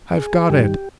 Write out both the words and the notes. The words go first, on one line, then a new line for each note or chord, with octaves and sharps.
I've got it!
G#4
G2 D#3 G3 G4